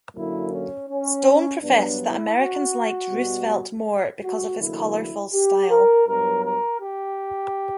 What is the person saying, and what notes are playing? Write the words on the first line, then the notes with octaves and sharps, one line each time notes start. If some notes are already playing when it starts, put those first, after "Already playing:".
Stone professed that Americans liked Roosevelt more because of his colorful style.
F#2 D3 F#3 A#3 E4
C#4
C#4
G2 F#3 B3 D4
E4
F#4
B2 G3 B3
F#4
E2 D3 F#3 A#3 E4
G4
A#4
G2 F#3 B3 A#4
A#4
G4